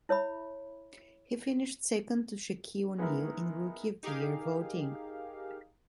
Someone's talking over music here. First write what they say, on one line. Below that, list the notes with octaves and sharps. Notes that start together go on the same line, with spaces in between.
He finished second to Shaquille O'Neal in rookie of the year voting.
E4 C#5 E5 B5
G#3 B3 D#4 E4 A#4
D#4 G4 G#4 A#4 F5